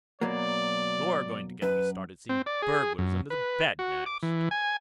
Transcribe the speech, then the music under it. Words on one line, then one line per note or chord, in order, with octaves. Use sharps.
"You're going to get me started seeing burglars under the bed, next...."
B2 F#3 A#3 D5
F#2 B4
C4
D5
G#4
F#2
B4
F#4
D6
E3
G#5